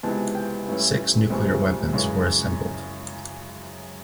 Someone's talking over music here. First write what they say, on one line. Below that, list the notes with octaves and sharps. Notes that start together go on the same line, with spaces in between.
Six nuclear weapons were assembled.
C#2 C3 E3 G#3 B3 A5
G5
G2 E3 A3 C#4
E1 D2 C3 F3 G#3
F#2 C#3 E3 G#3 G#5